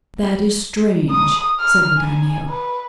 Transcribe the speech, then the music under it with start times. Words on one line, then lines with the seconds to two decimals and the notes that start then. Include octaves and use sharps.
"That is strange!" said the Daimio.
1.10 D#6
1.61 F6
1.98 G#5
2.50 B4